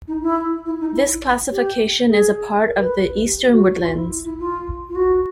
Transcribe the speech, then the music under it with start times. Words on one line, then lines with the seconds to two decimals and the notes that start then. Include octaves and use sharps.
This classification is a part of the Eastern Woodlands.
0.07 D#4
0.22 E4
0.65 E4
0.80 D#4
0.93 E4
1.51 G4
2.08 G#4
2.66 A#4
2.80 B4
3.24 G4
3.51 F#4
3.80 F4
3.94 E4
4.24 E4
4.39 F4
4.89 F4
4.95 F#4